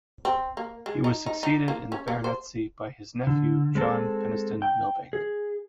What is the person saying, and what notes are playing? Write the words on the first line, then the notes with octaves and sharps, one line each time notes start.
He was succeeded in the baronetcy by his nephew John Penistone Milbanke.
C4
A#3
G#3
D#4
D#4
D#4
A#3
C#4
A#3
C5
D3
G#3 C4 A4
G5
G#4